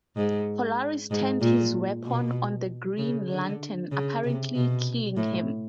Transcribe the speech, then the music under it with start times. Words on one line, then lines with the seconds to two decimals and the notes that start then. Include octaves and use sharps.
Polaris turned his weapon on the Green Lantern, apparently killing him.
0.17 G#2
1.11 G#2
1.41 A#2
2.05 B2
2.98 C#3
3.30 D3
3.92 C#3
4.24 C3
4.55 B2
5.17 A2